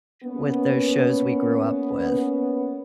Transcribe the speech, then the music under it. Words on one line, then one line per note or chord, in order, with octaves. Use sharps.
with those shows we grew up with,
A#3 B3 C#4